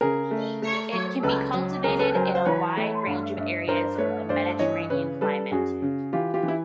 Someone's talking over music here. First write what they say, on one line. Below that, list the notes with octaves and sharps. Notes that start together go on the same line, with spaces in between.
It can be cultivated in a wide range of areas with a Mediterranean climate.
C#3 G#4 A#4
A3
A3
F#3
C#2 A4 B4
F#3
C#2 G#4 A#4
A4 B4
F#3 A#4 C5
C5
E3 B4 C#5
A3
G2
G2
G2 A#4 C5
A3 B4 C#5
G2 C5 D5
E3 C#5 D#5
C#3 B4 C#5
G3 A4 B4
F#2 F#4 G#4
C#3
E3 F4 G4
F4 G4
E3
E4